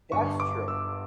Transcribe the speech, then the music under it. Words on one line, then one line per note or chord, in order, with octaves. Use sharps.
That's true.
G1 G2 D3 C#6
C#6
D6
E6